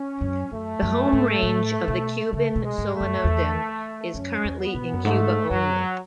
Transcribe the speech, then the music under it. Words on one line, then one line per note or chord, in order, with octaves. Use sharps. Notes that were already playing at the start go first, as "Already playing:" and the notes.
The home range of the Cuban solenodon is currently in Cuba only.
Already playing: C#4
F#2
F#2 A3
F#2
G#2
A2
B2
C#3 A3
B2
G#3
G#2
A3
F#2
E2
F#2 C#4
E2
B3
B2
F#2
G#2 A3
F#2 F#3